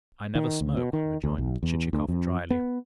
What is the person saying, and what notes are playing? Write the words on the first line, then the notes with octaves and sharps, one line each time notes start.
"I never smoke," rejoined Chichikov drily.
D#3
D2
B2
D#3
D2
B1
E2
D2
F2
B3